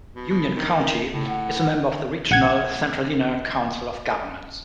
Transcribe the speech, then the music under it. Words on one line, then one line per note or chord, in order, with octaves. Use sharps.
Union County is a member of the regional Centralina Council of Governments.
B2
B2
D#3
A2 C#3
F#5
A#1 F#5 G#6